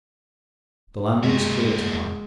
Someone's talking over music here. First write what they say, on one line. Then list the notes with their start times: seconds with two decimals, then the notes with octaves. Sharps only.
The land is clear to-night.
1.23 G#3 A#3 F#4